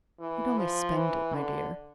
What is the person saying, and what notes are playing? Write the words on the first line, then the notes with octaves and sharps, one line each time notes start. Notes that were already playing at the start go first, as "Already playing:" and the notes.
"He'd only spend it, my dear."
E3
F3
E3
D3